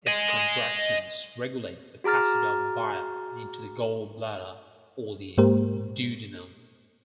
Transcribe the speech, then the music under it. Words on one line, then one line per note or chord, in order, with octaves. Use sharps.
Its contractions regulate the passage of bile into the gall bladder or the duodenum.
D#5 G#5
F#4 G#4 A#5 F6 A6
G#2 G#3 A#3 G4 A#4 C5